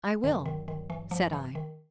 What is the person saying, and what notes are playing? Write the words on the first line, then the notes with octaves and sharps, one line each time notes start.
"I will," said I.
G1 F#2 D3 D#3 F#3
D#3
D#3
E3
F3
E3
D#3